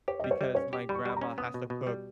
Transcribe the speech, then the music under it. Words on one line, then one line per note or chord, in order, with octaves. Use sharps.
because my grandma has to cook
G4 C#5
G3 D#5
C#5
G3 D#5
C#4 C#5
G4
G3 B5
C#6
G3 B5
C#4 A#5
B3 D#6
B2
B2
G3